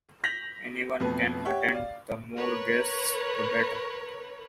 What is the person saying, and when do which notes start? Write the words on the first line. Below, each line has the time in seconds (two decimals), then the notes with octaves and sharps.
Anyone can attend - the more guests, the better.
0.24 G6 A#6 B6 F7 F#7
1.00 A1 F2 B2 B4
1.45 G4 C#5 E5 F#5 G5
1.72 D5 F5
2.34 A#4 B4 C#5